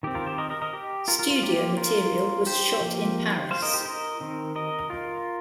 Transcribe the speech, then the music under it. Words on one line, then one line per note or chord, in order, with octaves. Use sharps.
Studio material was shot in Paris.
D#3 C4 G4
F4 A#4
G4 C5
A#4 D#5
A#4 D#5
A#4 D#5
G4
F4 A#4
F4 A#4
F4
F3 A#3 G4
F4 A#4
G4 C5
F3 A#3
C5 F5
A#4 D#5
G4 C5
A#4 D#5
D#3 C4
A#4 D#5
F4 A#4